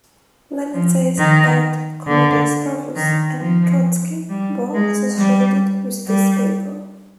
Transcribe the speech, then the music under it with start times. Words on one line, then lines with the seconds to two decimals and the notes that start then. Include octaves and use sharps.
Lenin says that "Comrades Parvus and Trotsky" were associated with this paper.
0.74 F3
1.18 D#3
2.07 D3
2.96 D#3
3.40 F3
4.29 G3
4.74 G#3
5.18 G3
6.07 G3